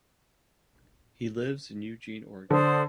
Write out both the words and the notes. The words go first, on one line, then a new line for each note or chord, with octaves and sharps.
He lives in Eugene, Oregon.
D3 C5 D5 A5 D#6